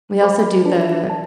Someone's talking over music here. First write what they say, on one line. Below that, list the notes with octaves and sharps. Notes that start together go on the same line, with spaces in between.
We also do the
G#4 C5 F5 B5 D6
D4 F4 B4 D5 A5
D5 A5